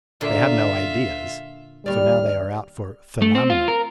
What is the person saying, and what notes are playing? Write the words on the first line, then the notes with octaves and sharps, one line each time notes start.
They have no ideas, so now they are out for phenomena.
A#2 D3 F4 E5
D#2 G3 D4 F6
A3
C4
F4
A#4